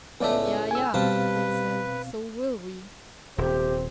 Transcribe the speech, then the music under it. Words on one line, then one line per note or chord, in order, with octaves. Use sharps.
"Yea, yea," they said, "so will we."
C#2 A2 A3 B3 D5 E5
G#5 E6
B2 G3 C4 B4 F5 A5
D#1 C3 C4 G4